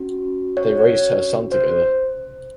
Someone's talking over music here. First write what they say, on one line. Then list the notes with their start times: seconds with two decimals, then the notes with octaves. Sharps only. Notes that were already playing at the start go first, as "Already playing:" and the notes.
They raised her son together.
Already playing: C#4 F#4
0.57 C#5
1.52 C5